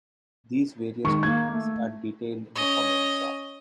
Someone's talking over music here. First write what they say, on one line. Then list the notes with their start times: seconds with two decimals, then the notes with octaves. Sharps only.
These various treatments are detailed in the following chart.
1.05 D#3 G#3 C#6
1.23 A#3 G#6
1.51 A3
2.55 C#4 D#5